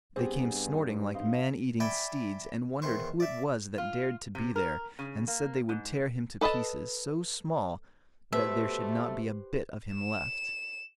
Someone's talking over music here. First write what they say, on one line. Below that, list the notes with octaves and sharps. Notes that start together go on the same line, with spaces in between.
They came snorting like man-eating steeds, and wondered who it was that dared to be there, and said they would tear him to pieces, so small that there should not be a bit of him left.
G2 B3 C4 G4 G#4
C4 D#4 C5 D#5 F5
D5 E5 G5 G#5 B5
E2 D#3 C5 C#6
D5 E5
F4
C3
A#4
C#3
A#3
G#2
A4 B4 D#5 E5 A5
B2 A3 G4 B4 C5 E5
E7